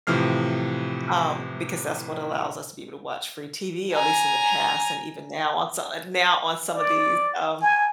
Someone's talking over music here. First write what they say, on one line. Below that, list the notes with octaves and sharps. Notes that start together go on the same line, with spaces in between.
um, because that's what allows us to be able to watch free TV, at least in the past and even now on so uh, now on some of these, um
A2 C3 E3 F3 F6 C7
G#5 A#5
D5
G#5